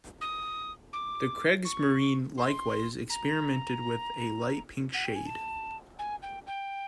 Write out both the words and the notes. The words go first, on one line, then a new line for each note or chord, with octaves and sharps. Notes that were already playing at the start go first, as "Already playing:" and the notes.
The Kriegsmarine likewise experimented with a light pink shade.
D#6
D6
C#6
C6
A#5
F#5
G5
G#5
A5
G#5
G5
G5